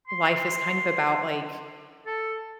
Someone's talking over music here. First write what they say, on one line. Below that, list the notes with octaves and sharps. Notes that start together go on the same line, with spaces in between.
life is kind of about, like,
C6
A4